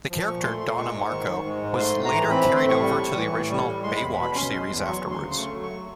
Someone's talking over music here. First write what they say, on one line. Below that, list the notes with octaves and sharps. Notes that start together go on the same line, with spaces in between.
The character Donna Marco was later carried over to the original "Baywatch" series afterwards.
F3
A#2 C#6
A3 C6
A#2 C6
G#3 C#6
G#2
D#3
G#2
G#3
G#2
A3 C6
A2
A#5
E3
C4 B5
B5
A3
C6
A2 C#6
G3
A2
E3
A2
G3
A2
G#3 C6
B5
E2
B2 B5
C#4 C6
G#3
E2
F#3 C#6
D2
C6
C#3
C6
A3 C#6
F#3
C#6